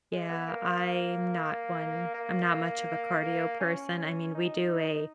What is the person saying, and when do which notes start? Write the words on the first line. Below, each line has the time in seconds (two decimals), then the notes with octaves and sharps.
Yeah, I'm not one I'm not much of a cardio person, I mean, we do a
0.12 G#3
0.29 B3
0.48 A#3
2.14 A#3
3.60 C#4
3.97 C#4
4.34 D#4